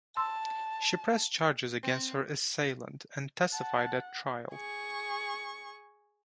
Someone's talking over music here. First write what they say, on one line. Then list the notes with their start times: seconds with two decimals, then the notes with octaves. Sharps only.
She pressed charges against her assailant and testified at trial.
0.17 A5 C6 E6
1.83 C4
3.53 F#5 A5
4.53 G#4 C#6